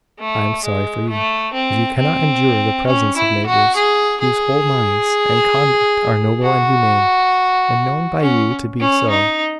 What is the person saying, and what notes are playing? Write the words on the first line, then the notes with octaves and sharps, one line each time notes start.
I am sorry for you, if you cannot endure the presence of neighbours whose whole minds and conduct are noble and humane, and known by you to be so.
A3
G#3
A3
C4
C4
C#4
E4
F#4
G#4
G#4
F#4
C#4
C#4
D#4